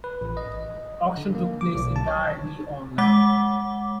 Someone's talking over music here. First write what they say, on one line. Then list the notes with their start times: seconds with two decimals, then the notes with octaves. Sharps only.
The auction took place entirely online.
0.04 B4
0.21 A1
0.37 D#5
1.17 D3
1.35 A#3
1.61 D6
1.75 B1
1.96 A5
2.08 C#5
2.98 G#3 F#5 D6